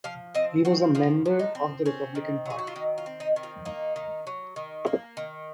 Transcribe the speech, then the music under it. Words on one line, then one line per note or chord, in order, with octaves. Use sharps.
He was a member of the Republican Party.
F3 F5
C4 D#5
C4 F#4
F3 F4
F3
D#4
C4
C4 C#4
D#3
F#3 G#4
F#4
F4
D#3 D#4
F4
C4
D#4
D#3
F4
A#3 D#4
D#3
F#3
D#3
A#3
D#3